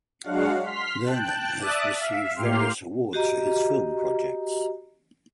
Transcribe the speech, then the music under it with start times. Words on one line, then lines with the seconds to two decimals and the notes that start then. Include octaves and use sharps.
Luhrmann has received various awards for his film projects.
0.23 F#3 G#3 D4 F#4 F5 F#5
0.63 C6 F6 B6
1.05 G5 A5 F#6
1.59 D5 E5 A5 D6 D#6 F#6
1.95 E5 F5
2.35 A2 A#3 G4 C6 F6
3.13 F#4 G4 D#5 A#5